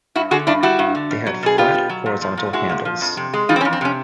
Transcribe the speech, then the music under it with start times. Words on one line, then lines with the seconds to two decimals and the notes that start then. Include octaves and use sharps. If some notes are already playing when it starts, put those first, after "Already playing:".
They had flat, horizontal handles.
0.16 G2 E4 F#4
0.31 D3 F#4 G#4
0.47 G2 D4 E4
0.63 G3 E4 F#4
0.79 G2
0.95 D3
1.11 B2
1.27 F#3
1.43 B2 G#4
1.58 B3 F4 G4
1.75 B2
1.89 F#3
2.06 A#2
2.21 F3
2.37 A#2
2.53 G#3 E4 F#4
2.69 A#2
2.85 F3
3.01 F2
3.17 C3
3.34 G#3
3.49 E3 D#4 F4
3.56 C4
3.61 C#4
3.65 F2
3.73 C4
3.81 C3 C#4